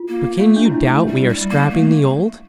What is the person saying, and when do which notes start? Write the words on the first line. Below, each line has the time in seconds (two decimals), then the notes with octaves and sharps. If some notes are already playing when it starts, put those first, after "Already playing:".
"But can you doubt we are scrapping the old?..."
Already playing: F4
0.09 A#3
0.37 A3
0.56 D4
0.65 E4
0.86 A3
1.07 G3
1.28 G3
1.50 A#3
1.70 A3